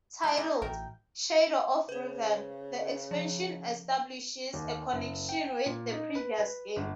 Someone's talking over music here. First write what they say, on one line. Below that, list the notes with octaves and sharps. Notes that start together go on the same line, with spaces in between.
Titled "Shadow of Revan", the expansion establishes a connection with the previous game.
G#3 E4 G4 A5 C#6
C#3 B3 D#4 F#4 G#4 G#5
A1 F#3 A3 F#4 A#4 G5
C#3 B4 C5
F3
D#2
F#1
G5
G5
A#2
D#4
B4
B4
G1